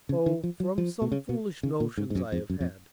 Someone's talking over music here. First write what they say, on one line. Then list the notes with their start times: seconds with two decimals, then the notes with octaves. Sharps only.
"Oh, from some foolish notions I have had."
0.09 C#3
0.26 D#3
0.44 F3
0.60 F#3
0.78 F3
1.02 B2
1.12 C#3
1.29 B2
1.63 C#3
1.80 A#2
1.97 G#2
2.10 G#2
2.15 F#2
2.32 F2
2.50 F#2
2.61 F2